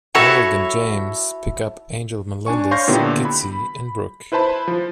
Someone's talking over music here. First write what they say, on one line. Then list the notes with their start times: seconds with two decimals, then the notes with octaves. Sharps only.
Alig and James pick up Angel Melendez, Gitsie, and Brooke.
0.15 E4 F#4 A4 C#5
2.46 D4 G#5 C#6
2.71 C#5 F5 C6 C#6 G6 A#6
2.88 A#2 D3 B3 E4 G4
3.25 B5
4.32 E4 B4 C5 A5 B5
4.68 F3